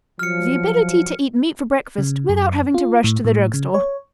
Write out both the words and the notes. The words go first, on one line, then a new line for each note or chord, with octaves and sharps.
The ability to eat meat for breakfast without having to rush to the drugstore.
F3 F#3 F6 C#7
C#3
F#2
F4
A2
A2
C#3
C#5